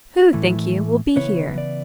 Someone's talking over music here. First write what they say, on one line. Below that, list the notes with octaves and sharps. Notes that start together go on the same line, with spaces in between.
Who, think you, will be here?'
A2 E3 A3 E4
C#3 E3 B3 E4 C#5
D5